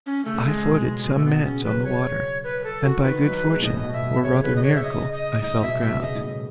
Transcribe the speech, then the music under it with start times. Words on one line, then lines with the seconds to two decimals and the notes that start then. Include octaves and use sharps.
I floated some minutes on the water, and by good fortune, or rather miracle, I felt ground.
0.06 C#4
0.25 C#3 A3
0.46 A2 G#3
0.66 B2
0.85 A2
1.05 B2
1.16 A3
1.25 B2 B3
1.44 C#3 C#4
1.64 F#3 B4
1.85 F#3 C#5
2.44 B4
2.64 A4
2.84 F#4
3.04 D#3 B4
3.24 F#3
3.44 G#3
3.56 B2
3.63 A2 D#5
3.83 B2
3.93 E5
4.02 B2
4.23 C#3 C#5
4.31 B2
4.39 C#3 B4
4.56 D#5
4.63 C#5
4.75 E5
4.83 D#5
5.12 D#5
5.42 A2 D#5
5.62 B2 E5
5.81 B2 E5
5.94 B2
6.01 C#3 D#5
6.15 A2
6.22 B2